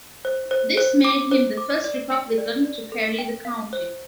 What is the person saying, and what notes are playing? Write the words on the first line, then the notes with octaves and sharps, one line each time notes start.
This made him the first Republican to carry the county.
C5
C5
C5
D6
C5
D6
D5
G5
D5
D5
A4
G5
F5
C5